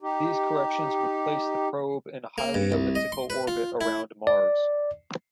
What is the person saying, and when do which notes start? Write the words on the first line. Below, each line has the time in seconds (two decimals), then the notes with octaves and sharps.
These corrections would place the probe in a highly elliptical orbit around Mars.
0.02 D#4 G4
2.38 A#3
2.54 G2
2.72 C2
2.95 D#5
3.12 C6
3.30 B4
3.48 F4
3.81 E4
4.27 D5